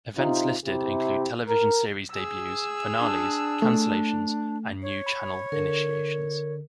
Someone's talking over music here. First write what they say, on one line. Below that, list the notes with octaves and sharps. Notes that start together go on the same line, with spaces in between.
Events listed include television series debuts, finales, cancellations, and new channel initiations.
C3 D#4 F4
C3 E4 G4
A#4
G#4 E6
D4
A3
C#5
B5
D3 A#4